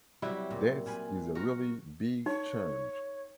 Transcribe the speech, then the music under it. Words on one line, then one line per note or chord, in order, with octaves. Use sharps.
Death is a really big change.
C3 F#3 G3 E4 F#4
A#2
A#2 G#5 B5
F#4 A#4 A#5
D#4 C#5